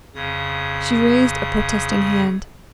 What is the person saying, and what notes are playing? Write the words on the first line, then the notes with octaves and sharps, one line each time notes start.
She raised a protesting hand.
F2 C#3 D#6